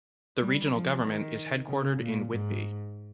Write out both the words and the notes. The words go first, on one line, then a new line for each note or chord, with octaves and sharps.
The regional government is headquartered in Whitby.
G3
F3
D#3
C#3
A#2
G#2